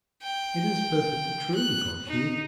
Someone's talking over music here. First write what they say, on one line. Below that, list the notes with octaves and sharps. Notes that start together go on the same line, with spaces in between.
"It is perfectly true," thought he.
G5
F#6
D#4